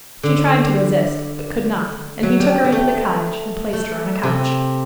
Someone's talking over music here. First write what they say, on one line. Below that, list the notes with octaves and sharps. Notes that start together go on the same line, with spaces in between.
She tried to resist, but could not, and he took her into the cottage and placed her on a couch.
D3
F#3
G3
G3
A3
A3
C3